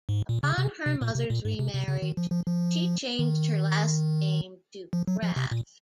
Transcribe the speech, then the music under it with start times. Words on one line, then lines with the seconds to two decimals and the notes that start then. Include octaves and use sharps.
Upon her mother's remarriage, she changed her last name to "Kraft".
0.09 G#2
0.29 A#2
0.43 C#3
0.58 C3
0.86 C3
1.01 A#2
1.15 C3
1.30 A#2
1.45 G#2
1.59 C3
1.74 C3
1.88 C#3
2.02 D#3
2.17 F3
2.31 F3
2.46 F3
3.19 D#3
4.93 F3
5.08 F#3
5.23 F3
5.36 C3
5.51 A#2